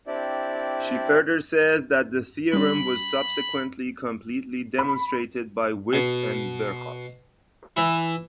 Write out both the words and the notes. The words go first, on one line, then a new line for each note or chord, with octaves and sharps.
She further says that the theorem was subsequently completely demonstrated by Witt and Birkhoff.
C4 D4 E4 G4 D5
G3 C#4 B5
B5
B2
E3 E4